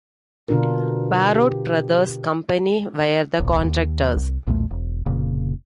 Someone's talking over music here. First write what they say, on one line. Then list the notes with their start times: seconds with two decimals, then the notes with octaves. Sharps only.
Parrott Brothers Company were the contractors.
0.49 B2 D3 D4 F4 A#4
1.33 G4
3.40 D1 B1
3.64 D#2
4.17 C2
4.47 B1 E2 A#2 A3
4.71 E1
5.06 F1 A#2 C#3